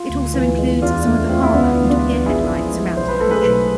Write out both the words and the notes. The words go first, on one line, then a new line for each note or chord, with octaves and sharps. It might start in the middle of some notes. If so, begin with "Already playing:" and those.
It also includes some of the harbour and pier-head lights around the country.
Already playing: F4
D2
E3
G#3
E2 D4 F4
A3
C4 F4
E4
D2 B3 D4
E3
D4 F4
G#3
A1 E4 G#4
F3
G#3
B1 C5
B4
A3 A4
G#4 B4
B1